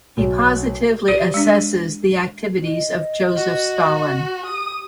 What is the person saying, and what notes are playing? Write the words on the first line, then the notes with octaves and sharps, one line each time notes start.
He positively assesses the activities of Joseph Stalin.
B1
G4 D5 D#7
G#3 D4
D#5
F#4
G4 D#6